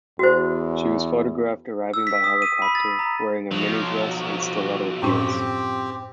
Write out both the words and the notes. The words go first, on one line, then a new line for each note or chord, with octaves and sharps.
She was photographed arriving by helicopter, wearing a mini-dress and stiletto heels.
E2 F#4 C5
E6
B6
D#6
D#7
B5
A6
A#5
B1 F3 F#3
F#2 A2 C4 C#4 G4